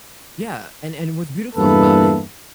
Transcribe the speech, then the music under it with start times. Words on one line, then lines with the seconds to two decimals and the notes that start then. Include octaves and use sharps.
Yeah, and and what's beautiful about it
1.55 E2 G2 A#3 E4 A4 B4